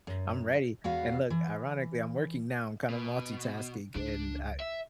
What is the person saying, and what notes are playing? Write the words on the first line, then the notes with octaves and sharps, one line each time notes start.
"I'm ready." And look, ironically, I'm working now. I'm kinda multitasking and, uh,
F#2
E2 B3 F#4 F5
E3
B2
C#2 D4
E5